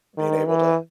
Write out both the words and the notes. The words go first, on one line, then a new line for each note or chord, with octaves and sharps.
being able to
D#3
E3